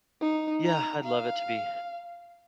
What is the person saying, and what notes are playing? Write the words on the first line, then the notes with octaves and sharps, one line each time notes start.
Yeah, I'd love it to be
D#4
A#5
F5